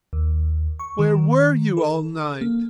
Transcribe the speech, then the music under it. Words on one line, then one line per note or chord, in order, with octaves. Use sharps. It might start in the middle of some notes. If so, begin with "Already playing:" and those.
"Where were you all night?"
D#2
C#6
D#3
A4
A#3